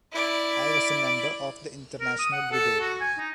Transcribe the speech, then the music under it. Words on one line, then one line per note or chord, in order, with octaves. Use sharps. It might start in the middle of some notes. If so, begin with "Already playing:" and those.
I was a member of the International Brigade.
E4 D5
A#4
D#6
F#5
A4
F#4
G#5
D#4